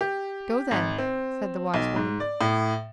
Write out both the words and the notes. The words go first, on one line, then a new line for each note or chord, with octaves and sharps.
"Go, then," said the wise woman.
G4
G#1
C4
B1
G#2
D5
A2